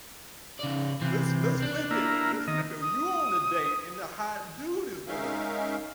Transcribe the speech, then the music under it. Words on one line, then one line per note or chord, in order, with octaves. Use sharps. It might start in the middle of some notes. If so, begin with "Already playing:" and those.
If Let's let's flip it, let's flip it, you on a date and the hot dude is doing it.
C#3 D5
C3 E3
D4
A#3 E4
D#3 D#5
D#6
G#3 C#4 D#4 A#4 E5 F5